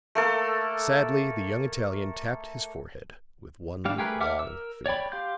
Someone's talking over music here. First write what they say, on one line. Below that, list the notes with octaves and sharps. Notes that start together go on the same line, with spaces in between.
Sadly the young Italian tapped his forehead with one long finger.
A3 A#3 A4
G3 D4 F5
A3 G4 G#4 A#4 B4
E5 F#5 D6 F6
A#4 E6
C#5 D5 G5 B5
G4 F5 C6 G6